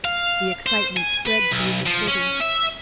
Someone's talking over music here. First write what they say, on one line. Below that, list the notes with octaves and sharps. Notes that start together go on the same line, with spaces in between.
The excitement spread through the city.
F5
C5
G#5
B4
B1
F3
C#4
E5